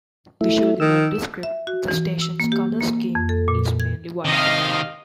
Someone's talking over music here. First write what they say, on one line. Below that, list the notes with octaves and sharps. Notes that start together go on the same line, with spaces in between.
Visually nondescript, the station's colour scheme is mainly white.
A3 E4
D#3 E6
E5
F#4
E3
E6
A#3
G4
A#3
F2
A4
A#2
G#6
C3 D#3 D#5 F5